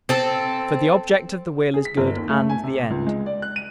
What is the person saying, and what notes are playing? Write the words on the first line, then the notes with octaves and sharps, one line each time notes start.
For the object of the will is good and the end.
C4 A4
G#4
B6
G1
D#2
A3
G#5
C3
C#2
G#3
D5
F#6
D#7